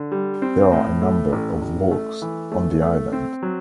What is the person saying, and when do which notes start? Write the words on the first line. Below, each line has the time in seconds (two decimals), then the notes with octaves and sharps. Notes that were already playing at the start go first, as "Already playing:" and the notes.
There are a number of walks on the island.
Already playing: D3
0.11 G3
0.42 C4
0.72 A2
1.02 A3
1.32 A1
1.62 A1
1.91 A3
2.22 E3
2.52 A3
2.82 A3
3.12 C4
3.42 F#3